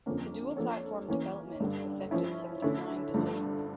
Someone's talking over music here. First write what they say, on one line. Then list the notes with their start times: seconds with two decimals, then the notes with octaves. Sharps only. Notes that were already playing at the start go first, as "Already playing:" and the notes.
The dual platform development affected some design decisions.
0.06 F2 D3 F3 A#3 C#4
0.57 F3 A#3 D4 A4 C#5
1.08 E3 A#3 C#4
1.60 G2 D3 G3
2.11 F3 C#4 E4
2.62 D3 A3 C#4 E4
3.14 G2 D3 F3 A3